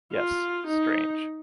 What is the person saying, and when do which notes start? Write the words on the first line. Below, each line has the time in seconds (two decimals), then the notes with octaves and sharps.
Yes, strange.
0.13 F4
0.67 D#4